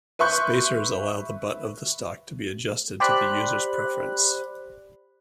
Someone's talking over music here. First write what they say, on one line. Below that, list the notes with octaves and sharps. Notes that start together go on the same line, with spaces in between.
Spacers allow the butt of the stock to be adjusted to the user's preference.
B4 E5 C6 C#6 F#6 G6
G4 C5 D5 B5 F#6